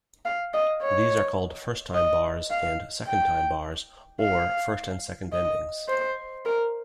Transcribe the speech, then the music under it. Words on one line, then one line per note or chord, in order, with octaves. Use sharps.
These are called "first-time bars" and "second-time bars", or "first and second endings".
F5
D#5
C#5
D#5
F5
G5
F5
D#5
C5
A#4